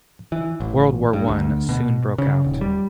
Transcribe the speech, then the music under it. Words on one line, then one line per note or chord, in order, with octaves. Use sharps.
World War One soon broke out.
E3
A1
G2
D2
B2
C#3
D#1
G3